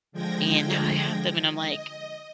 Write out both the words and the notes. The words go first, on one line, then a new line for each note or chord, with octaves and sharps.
and now I have them, and I'm like,
D3 F3 G#3 G5 G#6 A#6
D#5